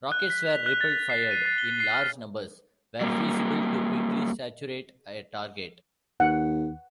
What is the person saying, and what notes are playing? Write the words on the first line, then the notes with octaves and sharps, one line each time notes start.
Rockets were ripple-fired in large numbers where feasible to quickly saturate a target.
F#6
B6
F7
F#6
A6
B6
C7
D#7
A6
G7
C7
F6
F#3 G3 A#3
D#2 F#5